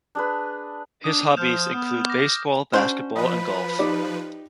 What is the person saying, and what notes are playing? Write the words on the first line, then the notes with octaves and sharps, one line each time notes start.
His hobbies include baseball, basketball and golf.
D4 G#4 B4
D4 D#6
F3 F6 G6 E7
B3
D6 A#6
C#4 D4 F#4 C5
F3 B4 D#5 B5
D#4 G4 D5